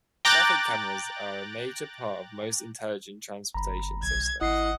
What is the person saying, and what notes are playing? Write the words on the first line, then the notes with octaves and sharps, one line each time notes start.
Traffic cameras are a major part of most intelligent transportation systems.
G5 A#5 D6 F#6 A6
G1 A#5 B5
B1 G#6
G#1 E4 D#5 F#5 C7